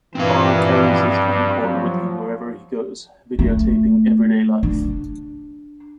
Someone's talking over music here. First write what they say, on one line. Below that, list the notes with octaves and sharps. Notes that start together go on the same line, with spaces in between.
R carries his camcorder with him wherever he goes, videotaping everyday life.
G2 A#2 E3 G3 C4 F5
F3 F#3
A3
D4